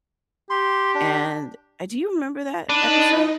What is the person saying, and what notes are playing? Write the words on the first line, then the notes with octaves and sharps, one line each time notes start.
and uh, do you remember that episode?
G4 C6
D4
D4 D#4 B4 D#5